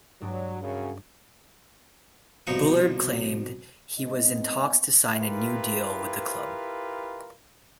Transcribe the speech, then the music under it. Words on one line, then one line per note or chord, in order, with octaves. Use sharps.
Bullard claimed he was in talks to sign a new deal with the club.
G2 F#3 G#3 D4
F#2 C#3
C2 B2 F3 D#4 F4 C#6
G#2 B3 C4 D#5
E4 F4 G4 A#4 B4